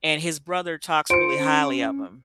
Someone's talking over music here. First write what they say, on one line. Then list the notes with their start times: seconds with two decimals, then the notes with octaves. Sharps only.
and his brother talks really highly of him,
1.10 F4 C5 C#7 D7
1.38 C#4